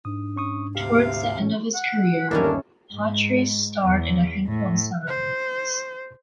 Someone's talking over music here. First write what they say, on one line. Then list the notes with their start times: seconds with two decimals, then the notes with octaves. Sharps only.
Towards the end of his career Hawtrey starred in a handful of silent movies.
0.05 G#2 D4 D#6
0.36 C#4 C#6 D#6
0.75 D2 C3 G4 F5
1.03 E5
1.40 A2 E3 C#4
1.75 F#5
2.31 G1 D#2 C#4 D4 E4 A4 A#4 A5
2.94 G#2
3.84 E2
4.47 A2
5.08 C5